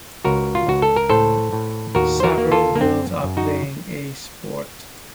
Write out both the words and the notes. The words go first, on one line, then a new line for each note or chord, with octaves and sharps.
Several girls are playing a sport.
C#2 F#4 A#4
F4
C#2 F#4
A4
A#4
A2 A4 C5
A2
D#2 F#4 A#4
C5
F#4 A#4
A#3
F4 A4
A#3
F#2 C4
F#2
D#4 F#4